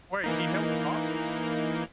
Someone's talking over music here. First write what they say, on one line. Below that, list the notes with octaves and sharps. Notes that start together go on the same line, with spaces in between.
Wait, he held a possum?
E3 A#3 D#4